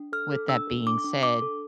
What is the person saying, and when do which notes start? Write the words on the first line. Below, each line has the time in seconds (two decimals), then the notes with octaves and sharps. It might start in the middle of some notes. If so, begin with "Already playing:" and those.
with that being said,
Already playing: D4
0.12 A4 F6
0.31 A4
0.49 D4 E6
0.68 A4
0.86 D4 D6
1.04 D4
1.23 D4 D6
1.42 A4